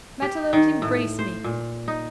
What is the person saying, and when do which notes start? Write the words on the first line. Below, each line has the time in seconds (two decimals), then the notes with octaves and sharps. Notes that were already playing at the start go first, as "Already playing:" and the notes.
Matelote, embrace me!
0.22 G4
0.53 D#3
0.82 A2
1.19 C5
1.44 A#2
1.88 D#4